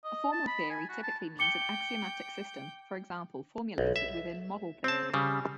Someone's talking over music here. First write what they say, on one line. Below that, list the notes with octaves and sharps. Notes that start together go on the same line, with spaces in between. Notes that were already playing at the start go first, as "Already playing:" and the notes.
A formal theory typically means an axiomatic system, for example formulated within model theory.
D#5
A5
B5
G#5
F#4
A5
G5 D6 C#7 G7
B1
E5
C4 A5
C#3 G3